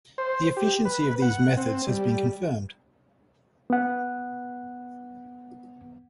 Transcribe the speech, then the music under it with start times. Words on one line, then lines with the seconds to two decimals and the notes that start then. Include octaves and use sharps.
The efficiency of these methods has been confirmed.
0.18 C5
0.57 G4
0.85 B4
1.22 F#5
1.57 C4
1.87 G3
3.70 B3 F#5